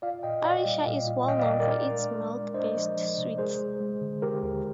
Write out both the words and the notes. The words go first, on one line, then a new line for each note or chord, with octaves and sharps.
Odisha is well known for its milk based sweets.
F4 D5 F5
A#2 D#5 G5
F4 D5 F5
G3
A#2
F4
A#2 D#5 G5
D5 F5
G3
A#4 D5
D4 A#4 D5
G#3
G#3
G#3
D4 C5 D#5
F3
F3
C3
G#3 G#4 C5
G#3
G#3
D3
D3 G4 A#4
D#2